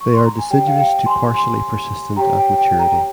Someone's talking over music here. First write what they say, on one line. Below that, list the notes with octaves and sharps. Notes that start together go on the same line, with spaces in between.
They are deciduous to partially persistent at maturity.
C#6
C6
A#5
G#5
G4 C#5 G5
F5
G5
G#5 C6
G#5 C6
G4 C#5 G5 A#5
G5
G5
G5 A#5